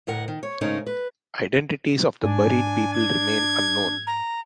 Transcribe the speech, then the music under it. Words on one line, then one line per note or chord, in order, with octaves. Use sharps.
Identities of the buried people remain unknown.
D2 A2 A#4 F#5
D#3
C#5
G#2 C#3 A3 C#4 D#4 A#4
B4
G#2 D4 G#5
G#6
A#5